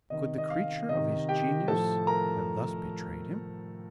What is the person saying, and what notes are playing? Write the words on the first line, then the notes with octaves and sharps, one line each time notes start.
Could the creature of his genius have thus betrayed him?
C3 D#3 D#5
D#5
F5
C3 D#3 D#5
G4 G5
A2 F3 A4 A5
A#4 A#5